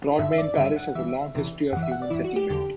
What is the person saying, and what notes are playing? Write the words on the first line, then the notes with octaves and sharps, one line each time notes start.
Broadmayne parish has a long history of human settlement.
G2 D3 E5
E5
D5
G2 D3 E5
F#5
G2 E3 E5
E2 C3 E3
F#2 E3 F#5
E5
F#5
D5
F#2 E3 E4
F#4
G4
E2 D3 G4